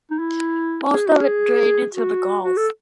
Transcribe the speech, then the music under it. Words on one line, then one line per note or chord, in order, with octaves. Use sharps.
Most of it drained into the Gulf.
D#4
E4
G#4
F#4
G#4
F#4
F#4
A4